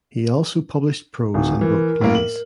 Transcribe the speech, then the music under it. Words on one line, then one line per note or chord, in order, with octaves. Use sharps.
He also published prose and wrote plays.
D1 D#4
E3 A#4
A2 A#3
F#7